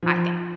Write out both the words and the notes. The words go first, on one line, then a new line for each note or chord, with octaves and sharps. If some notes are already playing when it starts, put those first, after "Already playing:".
I think.
F3